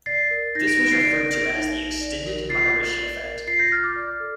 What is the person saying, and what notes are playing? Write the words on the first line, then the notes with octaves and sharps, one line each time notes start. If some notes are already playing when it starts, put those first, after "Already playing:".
This was referred to as the "Extended Maharishi Effect".
D5 A6 C7
A#4
D#4 G6 A#6
A#6 D7
D#4 A#6 D7
A6 C7
D5 A#6 D7
A#4 A#6 D7
D#4
D#4
D5
A#4
F4 A6 C7
F4
D5
A#4
F4 A6 C7
G6 A#6
F4 F6 A6
D6 F6
D5
A4